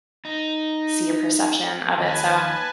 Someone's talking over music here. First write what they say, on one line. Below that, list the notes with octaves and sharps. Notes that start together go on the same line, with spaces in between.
see your perception of it, so I
D#4
D#2 B4 G#5 A5